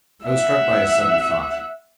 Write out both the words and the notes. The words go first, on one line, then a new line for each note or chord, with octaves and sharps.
I was struck by a sudden thought.
E5 F#5